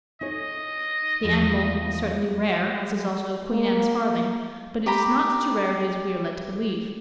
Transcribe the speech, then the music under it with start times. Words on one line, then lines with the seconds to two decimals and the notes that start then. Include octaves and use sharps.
The animal is certainly rare, as is also a Queen Anne's farthing; but it is not such a rarity as we are led to believe.
0.21 D#4 G#4 C#5 D#5
1.23 E2 F3
3.52 A#3
4.86 G4 A#5 B5